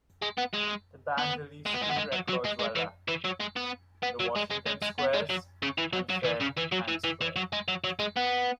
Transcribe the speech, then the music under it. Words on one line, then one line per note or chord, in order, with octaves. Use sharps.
The band released two records while active; "The Washington Squares" and "Fair and Square".
G#3
B3
G#3
B3
G#3
B3
G#3
B3
G#3
F#3
F#3
G#3
G#3
E3
E3
F#3
G#3
B3
B3
F#3
G#3
G#3
G#3
G#3
B3
G#3
F#3
C#3
E3
F#3
F#3
E3
C#3
E3
F#3
E3
E3
E3
F#3
G#3
F#3
F#3
G#3
B3